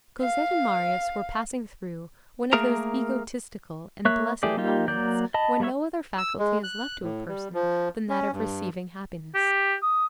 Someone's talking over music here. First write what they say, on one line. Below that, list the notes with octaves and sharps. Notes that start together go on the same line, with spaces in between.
Cosette and Marius were passing through one of those egotistical and blessed moments when no other faculty is left to a person than that of receiving happiness.
F5
A3 A#3 G#4 A#4 A#5
A#3 C#5 E5 F#6
E3 A3 G4 G#4 D5
A#3 D#4 F4 G4
F#3 A#3 D5 G6
D#5 A5 B5
G3 A#3 B3 C#5 E5
E6
G#3
F#6
A2
G3
F3
C#4
G2
G4
D#6